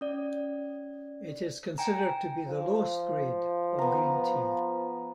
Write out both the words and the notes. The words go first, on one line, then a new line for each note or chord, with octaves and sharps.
It is considered to be the lowest grade of green tea.
C#4 D5
G5 G#5 A#5
F3
B3 A#5